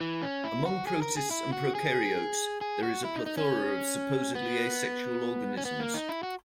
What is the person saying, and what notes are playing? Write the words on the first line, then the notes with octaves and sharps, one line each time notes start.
Among protists and prokaryotes there is a plethora of supposedly asexual organisms.
E3
C#4
E4
F#4
G#4
A#4
G#4
E4
F#4
G#4
G#4
F#4
E4
D#4
D#4
C#4
B3
C#4
B3
A#3
D#4
E4
F#4